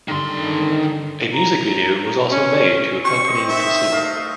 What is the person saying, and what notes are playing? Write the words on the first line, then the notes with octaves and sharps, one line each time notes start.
A music video was also made to accompany the single.
G2 D3 D#3 C6
A#5
C#4
C4 C5 C#6
C5 D#5
D#3 E5
A3 D#5 F5